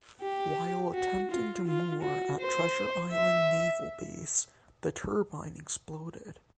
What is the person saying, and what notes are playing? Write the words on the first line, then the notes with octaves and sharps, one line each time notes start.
While attempting to moor at Treasure Island Naval Base, the turbine exploded.
G4
F#4
F4
F4
F#4
C5
E5